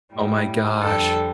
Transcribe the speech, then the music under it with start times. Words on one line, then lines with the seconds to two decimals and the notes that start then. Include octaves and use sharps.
Oh my gosh,
0.13 A2 G3
0.81 F2 D3 G3 A4